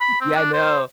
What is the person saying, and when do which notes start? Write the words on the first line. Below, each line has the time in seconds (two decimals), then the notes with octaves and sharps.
Yeah, no.
0.01 B5
0.21 C4
0.36 D4
0.53 C5